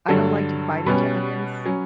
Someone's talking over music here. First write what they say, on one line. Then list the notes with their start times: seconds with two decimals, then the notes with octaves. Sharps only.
I don't like to bite into onions.
0.08 G2 D3 F#3 A4
0.86 B2 G3 C#4 B4
1.66 F#3 C#4